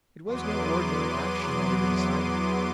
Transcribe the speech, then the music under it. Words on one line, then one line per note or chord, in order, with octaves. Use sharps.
It was no ordinary action they were deciding.
E2 F#3 B3 C6 D6 D#7